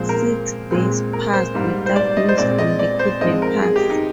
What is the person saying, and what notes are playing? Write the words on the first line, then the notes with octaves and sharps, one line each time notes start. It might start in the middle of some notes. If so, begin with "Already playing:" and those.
Six days passed without news from the kidnappers.
Already playing: A#2 F3 G#3 C4 C5
A#4
A#2 G#3 C4
A#4
C5
G#2 G3 A#3
C5
D5
D#5
C5
A#2 G#3 C4 D5
D#5
D5
C5
G#2 F3 G#3 C4 D#5
A#4
G#4
G4
D#4